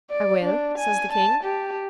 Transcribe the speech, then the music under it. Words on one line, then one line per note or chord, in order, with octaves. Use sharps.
"I will," says the king.
D5
D4
G#5
A5
G4